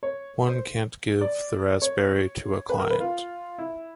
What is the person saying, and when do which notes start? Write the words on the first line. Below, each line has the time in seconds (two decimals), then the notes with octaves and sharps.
One can't give the raspberry to a client.
0.03 C#5
0.47 C5
1.21 D5
1.82 C#5
2.69 B4
2.79 A#4
2.90 B4
3.00 F4
3.58 E4